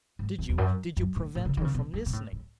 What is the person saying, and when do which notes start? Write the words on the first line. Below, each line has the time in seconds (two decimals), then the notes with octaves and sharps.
Did you--did you prevent her from listening?'
0.19 G#2
0.38 E2
0.49 E2
0.58 F#2
0.97 F#2
1.16 A2
1.35 A2
1.45 C#3
1.57 D#3
1.65 C#3
1.75 B2
1.94 G#2
2.06 B2
2.13 A2
2.32 A2